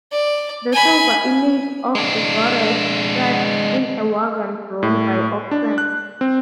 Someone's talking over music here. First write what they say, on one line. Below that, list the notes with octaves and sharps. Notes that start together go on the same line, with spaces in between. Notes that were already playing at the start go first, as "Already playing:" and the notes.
The silver image of the goddess sat in a wagon drawn by oxen.
D5
G#5 B5
G#3 D4
A2
D4
F#6
C4